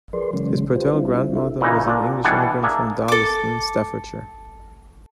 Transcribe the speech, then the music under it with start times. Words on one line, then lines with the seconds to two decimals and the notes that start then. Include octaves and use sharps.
His paternal grandmother was an English immigrant from Darlaston, Staffordshire.
0.13 F3 G#4 A#4 B4 D5 C6
0.33 C#3 E3 F#3 G#3 C#4
0.76 F4 G4 B4 C5
0.93 G3 C4 D4 E4 F4
1.36 F#4 A4 E5
1.61 A#2 C#3 E3 D#4
1.87 A#2 D4
2.24 B2 E3 G3 D4 G#4 F#5
2.63 A#3 D4 G#4 E5
3.08 A4 D6